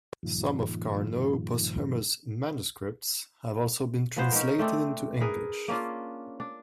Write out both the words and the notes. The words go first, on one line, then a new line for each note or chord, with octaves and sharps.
Some of Carnot's posthumous manuscripts have also been translated into English.
G2 A#2 D#3 F3
F3 B3 C5
C#4 D#4 A#4
A3 C4 D4
G#4 A#4 B4
A#3 C#4 D4 F4
D4